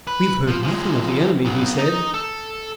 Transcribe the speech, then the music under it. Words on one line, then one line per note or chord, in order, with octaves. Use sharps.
"We have heard nothing of the enemy," he said.
B4
F3
F3 G#3
B1 B3
D#4 D#5
A4